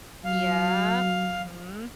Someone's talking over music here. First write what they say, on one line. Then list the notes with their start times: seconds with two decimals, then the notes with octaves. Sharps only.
Yeah. Mhm.
0.25 F#3 F5